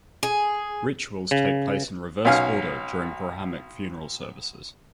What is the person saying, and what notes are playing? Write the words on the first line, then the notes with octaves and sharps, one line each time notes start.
Rituals take place in reverse order during Brahminic funeral services.
G#4
C#3
B1 C#4 F5 G#5 F6